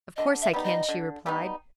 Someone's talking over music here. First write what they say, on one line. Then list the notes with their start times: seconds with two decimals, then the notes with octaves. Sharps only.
"Of course I can," she replied.
0.17 D3 D#5
0.42 E5
0.53 G3 B3 D#4
0.65 D#5
0.89 D3
1.26 G3 B3 D#4